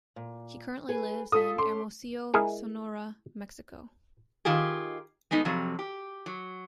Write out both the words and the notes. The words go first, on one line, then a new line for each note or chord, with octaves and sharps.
He currently lives in Hermosillo, Sonora, Mexico.
A#2
G#4 B4
F4 A4 D#6 B6
C#4 C6 D6
G#3 E4 G#4 A#4
D#3 F4 G4 G#4
G#3 A3 B3 D#4
F2 C3 F#3
G4
F#3